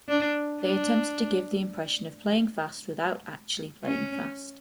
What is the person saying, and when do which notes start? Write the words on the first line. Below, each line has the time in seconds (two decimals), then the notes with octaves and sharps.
They attempted to give the impression of playing fast without actually playing fast.
0.08 D4
0.62 D4
3.85 C#4